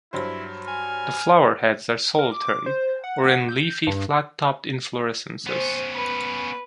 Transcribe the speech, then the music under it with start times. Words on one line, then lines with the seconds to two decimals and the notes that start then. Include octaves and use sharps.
The flower heads are solitary or in leafy flat-topped inflorescences.
0.13 G2 F#3 E4 C5
0.68 G#5 F6
2.19 A#4
2.32 D6
2.45 D6
2.66 C5
3.04 F#5
3.49 G6
3.87 G2
5.46 B3 C#4 C5
5.95 B4